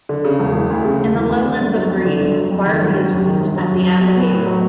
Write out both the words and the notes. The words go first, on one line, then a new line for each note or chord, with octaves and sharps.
In the lowlands of Greece, barley is reaped at the end of April.
D3
C#3
E1
E3
D2
C#3
E1
E3
D2
D3
G1
F#3
F2
D3
G1
F#3
F2
D#3
G1
F#3
F#2
D#3
G1
F#3
F#2
F#3
B1
B3
A2
F#3